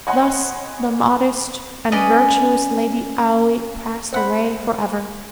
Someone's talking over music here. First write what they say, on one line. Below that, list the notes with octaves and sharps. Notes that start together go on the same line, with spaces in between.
Thus the modest and virtuous Lady Aoi passed away forever.
C#5 D#5 F#5 G#5 B5 C6
C#4 B4 D5 D#5
C4 F#5 B5